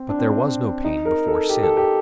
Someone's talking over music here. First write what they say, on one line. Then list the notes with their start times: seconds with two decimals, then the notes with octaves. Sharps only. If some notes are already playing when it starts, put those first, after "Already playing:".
But there was no pain before sin.
Already playing: C4
0.09 D4
0.19 C4
0.84 D#4
1.05 A#4
1.27 A4
1.49 G4
1.63 A4
1.77 G4